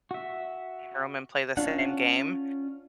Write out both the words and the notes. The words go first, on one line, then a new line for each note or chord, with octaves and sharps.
in a room and play the same game,
F#4 E5
C#4 D4 F4 F#5